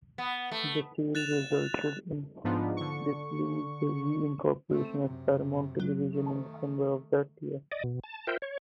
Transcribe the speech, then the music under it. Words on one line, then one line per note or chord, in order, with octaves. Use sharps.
The sale resulted in Desilu's re-incorporation as Paramount Television in December of that year.
B3
A3
F#6 A6 E7 F7
G#2 F3 B3 D4 D#4 F4
D3 C#6
A3 C4
F#2 C3
F#3
D#3 A3
D5 D#5
B2
A5
F4 A#4 C5 E5 G5
C#5